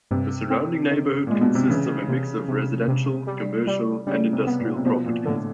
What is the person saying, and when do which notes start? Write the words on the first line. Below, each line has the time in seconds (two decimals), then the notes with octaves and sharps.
The surrounding neighborhood consists of a mix of residential, commercial, and industrial properties.
0.11 G2 C3
0.50 C4
0.90 D#3
1.27 A#2 G#3
1.41 B2
1.55 C3
1.70 C#3 E3
2.08 C3
2.48 C3
2.88 C3
3.27 G3
3.67 G3
4.07 C#3 G3
4.33 C3
4.47 B3
4.59 A#2
4.76 C3
4.85 B2 F3
5.06 A#2
5.25 A2 D3